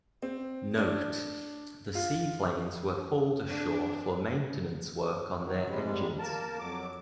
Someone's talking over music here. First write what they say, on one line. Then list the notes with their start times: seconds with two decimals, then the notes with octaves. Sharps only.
Note: the seaplanes were hauled ashore for maintenance work on their engines.
0.23 C4
0.78 D4
1.95 F4
3.47 D4
5.43 D#3 F#3
5.67 G#2 C3 G3 G#3
6.19 A#3 A#4 A5
6.59 F2 F#3 D6